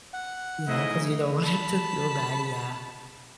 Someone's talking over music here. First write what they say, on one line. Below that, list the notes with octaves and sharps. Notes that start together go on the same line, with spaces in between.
Yeah, 'cause you don't want him to feel bad, yeah.
F#5
G#2 C#3 A3 E4 D#5
A5 B5